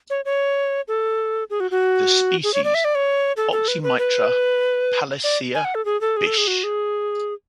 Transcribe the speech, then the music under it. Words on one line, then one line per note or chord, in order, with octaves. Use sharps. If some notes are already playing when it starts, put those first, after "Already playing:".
The species "Oxymitra paleacea" Bisch.
C#5
C#5
A4
G#4
F#4
F#4
G#4
C#5
D5
E5
D5
C#5
A4
A4
B4
B4
B4
D5
G#5
F#5
A4
G#4
A4
G#4
A4
G#4
F#4
G#4